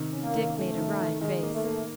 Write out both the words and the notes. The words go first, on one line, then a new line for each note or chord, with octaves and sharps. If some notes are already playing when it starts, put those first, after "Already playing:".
Dick made a wry face.
Already playing: C3 D#3
C#4
A#3
D#3
A3 C#4
D#3
D#3
D#3 G#3
A#3
A3
A#3